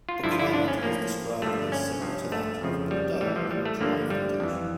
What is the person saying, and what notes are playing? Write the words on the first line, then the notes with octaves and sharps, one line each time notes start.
The climate is described as similar to that of Bordeaux in a dry vintage.
F4
G2 D3 F3 E4
F4
E4
D4
C#4
A2 F3 A#3
G2 D3 F3 A3
C#4
G2 F3
A3
F2 C#3 F3
G3
A2 E3 G3
F3
G3
A3
G2 D3 F3 A#3
G3
F2 E3